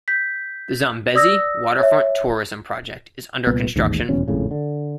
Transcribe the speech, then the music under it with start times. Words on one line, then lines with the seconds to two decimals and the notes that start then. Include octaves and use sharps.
The "Zambezi Waterfront Tourism" project is under construction.
0.08 G6 B6
1.15 D5 D#6 E6 A#6
1.79 C#5 E5
3.47 C2 A#2 B3
3.76 A1 D#2 G#2
4.09 D#1 E2 B2 C#4
4.28 G#1 F2 A2 C#3
4.51 D3